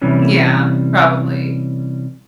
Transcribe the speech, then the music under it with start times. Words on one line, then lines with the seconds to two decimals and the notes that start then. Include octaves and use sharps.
Yeah. Probably.
0.02 C3 E3 G3 C#4